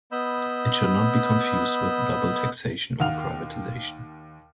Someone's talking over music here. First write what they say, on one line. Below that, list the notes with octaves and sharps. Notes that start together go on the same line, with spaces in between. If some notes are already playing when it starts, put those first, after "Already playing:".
It should not be confused with double taxation or privatisation.
B3 D#5 B5 E6 G6
D#2 D#3 F5 F#5 F6 F7